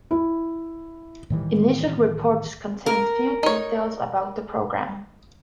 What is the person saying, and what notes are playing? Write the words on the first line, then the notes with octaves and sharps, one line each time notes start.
Initial reports contained few details about the program.
E4
A2 D#3 E3 G3
A#4
D#4 C#5